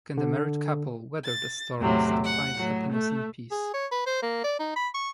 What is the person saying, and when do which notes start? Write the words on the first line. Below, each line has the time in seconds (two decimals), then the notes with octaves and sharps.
Can the married couple weather the storms to find happiness and peace?
0.17 D3
1.25 A6
1.79 E2 A2 C3 F#3
2.25 F#5
2.57 A2 F#3
2.92 A3
3.51 G#4
3.74 C#5
3.91 B4
4.06 C5
4.23 A#3
4.44 D5
4.60 D#4
4.76 B5
4.94 C#6